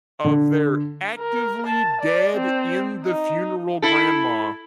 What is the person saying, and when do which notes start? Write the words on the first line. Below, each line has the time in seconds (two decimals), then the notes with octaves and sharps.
of their actively dead in the funeral grandma.
0.24 D3
1.19 A#4
1.67 A5
2.02 D5
2.36 C4
3.04 D#4
3.82 E4 A4